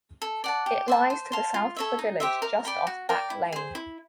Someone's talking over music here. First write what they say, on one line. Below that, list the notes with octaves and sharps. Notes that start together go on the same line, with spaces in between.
It lies to the south of the village just off Back Lane.
A4
D5 F#5 A5
G4
C5 E5 A5
C5
F5 A5 C6
F4
A4 C#5 E5
D#4
G4 C5 E5
A#4
D5 G5 B5
F#4
A#4 D5 G5
E4
G#4 C5
E4